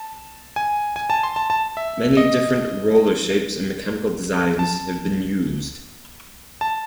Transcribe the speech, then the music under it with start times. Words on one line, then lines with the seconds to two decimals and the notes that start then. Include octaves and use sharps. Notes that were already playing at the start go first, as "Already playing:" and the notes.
Many different roller shapes and mechanical designs have been used.
Already playing: A5
0.56 G#5
0.96 G#5
1.10 A5
1.23 C6
1.36 A5
1.50 A5
1.77 E5
2.17 D#5
4.59 A5
6.61 A5